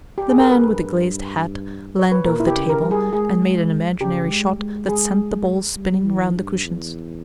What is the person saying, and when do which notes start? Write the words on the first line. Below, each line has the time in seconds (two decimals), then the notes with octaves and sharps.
The man with the glazed hat leaned over the table and made an imaginary shot that sent the ball spinning round the cushions.
0.18 G4
0.29 G#4
0.39 A#4
0.50 G2 B4
1.99 C#5
2.12 B4
2.26 A#2 A#4
2.40 E4
2.47 G4
2.54 C#3
2.69 A#4
2.83 G3
2.91 G#4
3.13 G#3 G#4
4.01 C#3 G4
4.30 G#3
4.59 G#3
4.88 G#3 G#4
5.76 G3
6.05 E3
6.35 G2
6.64 E2